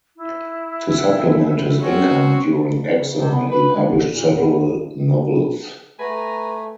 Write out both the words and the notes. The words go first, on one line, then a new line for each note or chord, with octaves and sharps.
To supplement his income during exile he published several novels.
E4
C4 C#4 F#4
C#3
C3
B3
B4
G#3
D3
A#2
E2
A3 B4 G#5 A#5